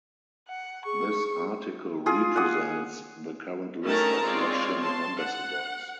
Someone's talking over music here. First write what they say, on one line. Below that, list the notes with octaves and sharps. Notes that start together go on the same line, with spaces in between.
This article represents the current list of Russian ambassadors.
F#5
G#4 C#6
F4 G#4
F#5 G#5 D#6
D#3 A3 C#4 A#4 A5 A#5
G#3 C4 F4 C#5 D5
A5 C6
F#5